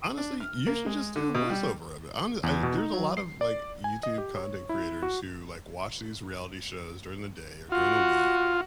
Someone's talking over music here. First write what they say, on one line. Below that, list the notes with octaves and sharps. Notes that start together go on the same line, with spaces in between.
Honestly, you should just do a voiceover of it on the I there's a lot of, like, YouTube content creators who, like, watch these reality shows during the day or during the week,
D4
F6
A#3
G#3
D3
B2
G3
E2
B2
D#4
F#3
C7
D5
G#5
D#5
G4
C#5
E4
F#4
F4 F#4